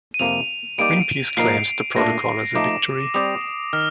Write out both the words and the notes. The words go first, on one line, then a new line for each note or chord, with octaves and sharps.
Greenpeace claims the protocol as a victory.
D#7
F2 C3 F3 A#3 F7
G3 A#3 D#4 G4 D5 D7
A#2 F3 A#3 D#4 A#4 C7
A#2 A3 D4 A#6
F3 A3 D#4 D6
G3 C4 G4 D5 D#6
D#3 F6